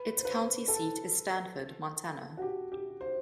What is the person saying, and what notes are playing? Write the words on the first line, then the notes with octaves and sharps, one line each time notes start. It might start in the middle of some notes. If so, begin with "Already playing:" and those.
Its county seat is Stanford, Montana.
Already playing: B4
C5
B4
A4
F#4
G4
G4
C5